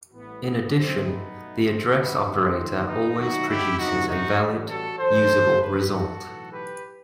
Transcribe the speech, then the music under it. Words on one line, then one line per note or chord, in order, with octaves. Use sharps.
In addition, the address operator always produces a valid, usable result.
A1 A2 E3 G3 B3
B3
G1 F#2 F#3 A3 C4
B3 D#4
B1 B2 A3
C4
A1 G2 D#3 F#3 B3
C4
D#2 D#3 F#3
B3 D#4
D#2 D#3 F#3 A3 D#4 F#4
E4 G4
E2 C3 F#3 A3 D#4 F#4
D#4 F#4
A1 A2 G3
F#4 A4
G1 F#2 E3 A4 C5
F#1 E2 D#3 G3 G4 B4
F#4 A4
B1 A2 E3
G4 B4